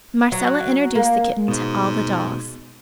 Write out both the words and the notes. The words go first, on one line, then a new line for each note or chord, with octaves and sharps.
Marcella introduced the kitten to all the dolls.
F#3
A#3
G#2 B2